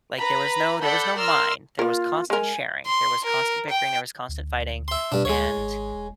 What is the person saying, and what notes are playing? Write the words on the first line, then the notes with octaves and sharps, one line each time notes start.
like, there was no there was no "mine," there was constant sharing, there was constant bickering, there was constant fighting, and
B4 A#5 B5
A4 D5 F#5 B5 G6
A#4 C6 E6 F6
A#3 F4 A#4
G#3 A#4 G#5
C6
A#4
G5
D2
E5 C6
G2 B2 D4
D2 G#3 C#5
G#1
E1